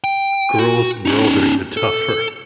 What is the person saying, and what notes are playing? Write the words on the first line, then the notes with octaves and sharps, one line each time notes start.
girls girls are even tougher.
G5
F#4
C#4 D#4
A4